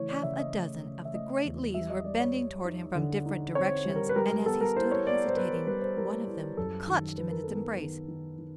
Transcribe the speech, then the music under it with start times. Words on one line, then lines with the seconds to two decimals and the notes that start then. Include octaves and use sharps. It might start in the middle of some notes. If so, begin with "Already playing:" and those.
Half a dozen of the great leaves were bending toward him from different directions and as he stood hesitating one of them clutched him in its embrace.
Already playing: C#3 E3 A3 C#5
0.09 D5
0.23 C#3 E5
0.38 D#5
0.53 A3
0.84 C#3
1.05 E5
1.14 A3 D#5
1.44 E2
1.74 G3 E5
1.90 D#5
2.04 G3 D5
2.20 C#5
2.35 G3
2.65 D#4
2.95 D3
3.26 D#4
3.55 C4 C#5
3.85 G3
3.96 A#4
4.09 B4
4.16 G3 A#4
4.31 A#4
4.46 B3 A4
4.61 A#4
4.76 E4 C5
4.91 C#5
5.07 B3 D5
5.28 C5
5.37 B3 B4
5.52 A#4
5.67 G3 B4
5.82 C5
5.97 G3 A#4
6.27 E4
6.57 F#2 A4
6.87 D#3
7.18 D#3 B4
7.31 A#4
7.44 B3 A4
7.55 A#4
7.78 D#3
8.08 D#3
8.38 D#3